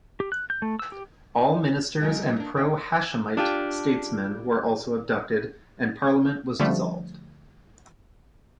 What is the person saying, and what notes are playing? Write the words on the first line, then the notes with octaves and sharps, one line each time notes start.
All ministers and pro-Hashemite statesmen were also abducted, and Parliament was dissolved.
G4
F#6
G6
A3
E6
G4
C#3 F#3 G#3 A#3
A#3 D4
D#3 G5
D4 F4 G4
D3 F3 G3 A3